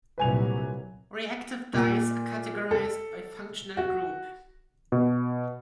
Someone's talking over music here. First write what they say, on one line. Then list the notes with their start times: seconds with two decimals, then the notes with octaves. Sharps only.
Reactive dyes are categorized by functional group.
0.18 C2 A#2 F#3 B4 G#5 F7
1.74 A#2
2.71 A4
3.77 F#4
4.92 B2